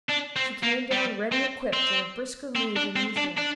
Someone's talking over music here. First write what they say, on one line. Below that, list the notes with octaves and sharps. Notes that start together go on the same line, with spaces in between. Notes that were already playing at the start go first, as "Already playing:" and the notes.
She came down ready equipped, in a brisker mood than usual.
D4
C4
A#3
G3
C4
C4
C4
D4
C4
D4
D4